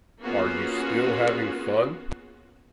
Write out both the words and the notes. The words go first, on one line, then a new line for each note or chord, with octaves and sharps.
Are You Still Having Fun?
A#3 B3 C#4 F4 F#4 G#4